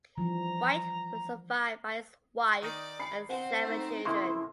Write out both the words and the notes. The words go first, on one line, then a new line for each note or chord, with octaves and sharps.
White was survived by his wife and seven children.
E3 F3 G3 A#5
D#3 D#4 D5
B5 C7 C#7
C4 C5 F#5
A3 D#4
C#3 E3 A#3 E4 A4 E5 C6